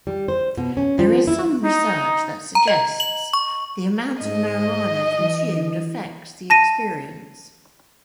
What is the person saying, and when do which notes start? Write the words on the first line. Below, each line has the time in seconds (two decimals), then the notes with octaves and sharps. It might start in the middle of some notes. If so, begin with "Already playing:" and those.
There is some research that suggests the amount of marijuana consumed affects the experience.
0.07 G3
0.28 C5
0.58 B2
0.77 C#4
0.99 F3
1.27 E4
1.64 D#4
2.55 A#5
2.68 D#5
3.00 F#7
3.33 C#6
4.23 G#2 D#5
5.19 E3
6.50 A5 A#6 D#7